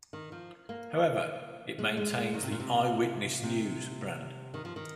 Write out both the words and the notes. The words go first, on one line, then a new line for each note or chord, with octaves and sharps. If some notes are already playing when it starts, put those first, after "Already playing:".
However, it maintains the "Eyewitness News" brand.
D#3
F3
A#3
G#3
G#3
G#3
D#3
C3
A#2
C3
C3
D#3
F3
D#3